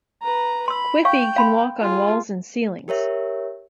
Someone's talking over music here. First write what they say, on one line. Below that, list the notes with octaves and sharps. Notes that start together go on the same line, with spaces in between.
Quiffy can walk on walls and ceilings.
B4 A#5
B5 C6 E6
F5 G5 C#6
F5 B5 C6
F4 G#4
G4 A#4 C#5 E5